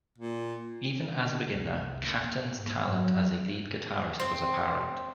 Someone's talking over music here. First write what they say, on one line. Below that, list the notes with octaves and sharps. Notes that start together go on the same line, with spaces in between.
Even as a beginner, Caton's talent as a lead guitarist was apparent.
A#2
D3
C2
A#3
G#2
F#3
C4